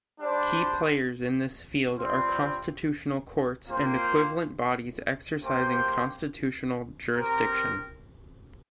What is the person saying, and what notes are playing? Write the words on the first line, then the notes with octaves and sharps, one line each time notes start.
Key players in this field are constitutional courts and equivalent bodies exercising constitutional jurisdiction.
G3 D4 G4 C5
G3 C4 F4
A#3 F4 C5 G5
A#3 G4 C5 G5
C4 G4 A#4